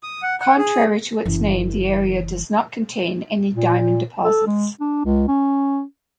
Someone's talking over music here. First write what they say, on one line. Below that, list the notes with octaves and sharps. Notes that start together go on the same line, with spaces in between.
Contrary to its name, the area does not contain any diamond deposits.
D#6
F#5
F#5
G#4
F#1 E3
A#2
A4
G#3
D4
C#2
C#4